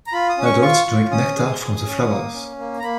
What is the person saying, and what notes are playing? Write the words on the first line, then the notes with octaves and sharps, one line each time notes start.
Adults drink nectar from the flowers.
A#5
F4 B5
D#6
C#4
C#6
F4 C#6
F4
C#4 D#6
G#4
G#4
C#4
A#3
C#4
A#3
A#5
A#3 B5